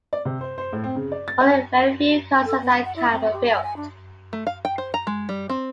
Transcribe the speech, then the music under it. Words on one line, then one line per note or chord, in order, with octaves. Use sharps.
Only very few cars of that kind were built.
D5
C3
C5
C5
A2
C4
C#3
D5
A6
C#4
A4
B3
F#5
E4
C4
G4
G#5
G#5
D4
A3
F5
G5
C5
A#5
G#3
G3
C4